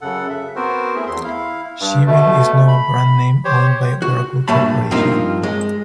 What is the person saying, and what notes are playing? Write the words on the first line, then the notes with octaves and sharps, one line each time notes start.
Siebel is now a brand name owned by Oracle Corporation.
F#2 C#3 A4 F#5
E5
B3 C4 F#4 A#4 C5
A3 E4 G#4 E5
E2 C6
E4 F5
G2
B2 A3
B5
G4 C5 C#5
F#4
G2 A#2 A3 A5 B5
G2 F3 A#3 C4 D#4 F4
G#3